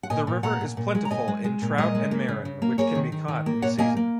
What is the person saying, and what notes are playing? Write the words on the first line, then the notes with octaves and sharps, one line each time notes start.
The river is plentiful in trout and marron which can be caught in season.
F#5
A#2 D#5 G#5
A#2
A#2 F#5 A#5
A#2
A#2
G#3
A#5
A#2 D#5 G#5
G#3
G#3
A#2
G#3 A#4 D#5
G#3
A#3
C#3
C#3
A#3
A#3 G#4 C#5
D#3
D#3
D#3
A#3
A#2 C#5 F#5
A#3 D#5 G#5
A#3